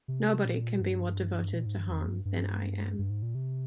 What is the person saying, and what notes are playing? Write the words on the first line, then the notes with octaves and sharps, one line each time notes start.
Nobody can be more devoted to home than I am.
C3
A#2
G2
A#2
G#2
G2
F2
G2
G2
G2
G#2
A#2
C3